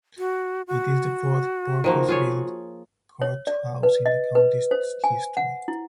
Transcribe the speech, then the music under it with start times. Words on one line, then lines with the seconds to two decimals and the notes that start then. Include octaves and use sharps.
It is the fourth purpose-built court house in the county's history.
0.18 F#4
0.67 F#4
1.84 D#3 F3 A#3
2.09 F4 G#4 C#5
3.22 C#5
3.47 D5
3.83 B4
4.06 D#5
4.35 B4
4.71 C5
5.04 G#5
5.37 F#5
5.68 E4